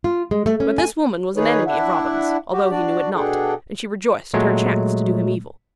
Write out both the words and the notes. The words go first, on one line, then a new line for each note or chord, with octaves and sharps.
But this woman was an enemy of Robin's, although he knew it not; and she rejoiced at her chance to do him evil.
F4
G#3
A3
C#4
G#5
D#3 D#4 G#4 B4 C#5
D4 E4 E5 F#5
F#4 G4
D4 F#4 D5
B2 D4 G#4 A4 F#5 G5
A#2 F#3 G#3 A3